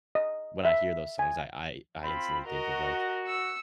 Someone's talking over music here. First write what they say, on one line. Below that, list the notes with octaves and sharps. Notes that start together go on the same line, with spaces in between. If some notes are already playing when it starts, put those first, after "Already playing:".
when I hear those songs, I I I instantly think of like,
D#5
E5
G#5
C4 F4 B5
F#4 A#4 D#5
E6 C#7